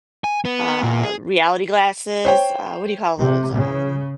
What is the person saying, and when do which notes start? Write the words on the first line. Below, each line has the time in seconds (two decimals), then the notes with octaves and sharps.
uh, reality glasses? Uh, what do you call those? Um,
0.24 G#5
0.45 B3
0.83 A#2
1.03 G#4
2.25 C5 C#5 G5
3.19 C3
3.54 C#3